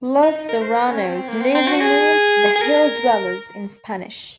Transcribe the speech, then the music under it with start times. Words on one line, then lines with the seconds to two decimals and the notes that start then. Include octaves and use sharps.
Los Serranos loosely means "the hill-dwellers" in Spanish.
0.22 D#4
0.35 D#4
0.49 A#4
0.62 C5
0.75 A#4
0.89 C#4
1.02 C4
1.15 C4
1.28 A#3
1.41 C4
1.55 C4
1.68 F#4
1.81 G#4
2.56 G#4
2.61 A#4